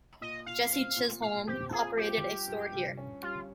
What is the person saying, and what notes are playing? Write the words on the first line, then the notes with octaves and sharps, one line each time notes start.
Jesse Chisholm operated a store here.
A#2 D#5
A#2 F5
C4
A#2
A#2 F5
C4 G4
F4 G#4
F3 G4
G3
G2
G2
C#4
G3 F4